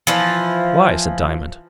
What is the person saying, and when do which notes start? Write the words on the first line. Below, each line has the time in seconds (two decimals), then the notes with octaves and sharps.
"Why?" said Diamond.
0.07 E3 F3